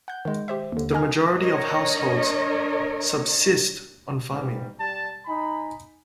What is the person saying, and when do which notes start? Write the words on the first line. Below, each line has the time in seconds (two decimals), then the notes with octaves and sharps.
The majority of households subsist on farming.
0.08 F#5 G6
0.25 D#3 G#3
0.48 G4 C5 E5
0.72 D#2 D3
0.93 A#4 D#5 G#5 F6
1.36 D4 A#4 C#5 D#5
4.32 G#2 B2 E3 G3
4.80 G3 A5
5.26 D#4 G#5 B5